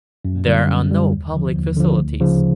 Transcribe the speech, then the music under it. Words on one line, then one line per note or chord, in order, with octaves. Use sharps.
There are no public facilities.
F#2
D3 G3
F#2
D3 G3
D#2
D3 F3
D#2
D3 F3
D2
C#3 F3